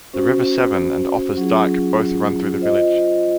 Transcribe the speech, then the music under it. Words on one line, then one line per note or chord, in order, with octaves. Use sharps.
The River Severn and Offa's Dyke both run through the village.
C#4 F#4 C5
F#3 C#4 F4 G#4
F4 C5 D#5